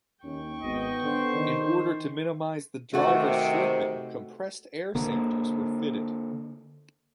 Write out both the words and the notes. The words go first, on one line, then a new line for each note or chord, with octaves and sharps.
In order to minimise the drivers slipping, compressed air sanders were fitted.
D#2 C#4 G5 C#6
G#1 B3 D#5
D3 C5
D#3
C3 D#3 A3 F#4
D3 A#3